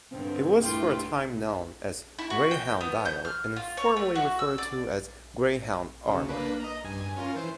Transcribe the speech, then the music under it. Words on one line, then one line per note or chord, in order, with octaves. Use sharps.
It was for a time known as Greyhound-Dial, and informally referred to as Greyhound-Armour.
G2 D3 D#3 C4
G2 A3 E4 F4 G4 G5
E4
F#4
G5
B3
G6
F6
F4
C#5
A3
F#4
E6
D5
C#3
A#3 D4 B4
D#5 A#5
G2 G#5
C#4 F4 A#4
E3 C5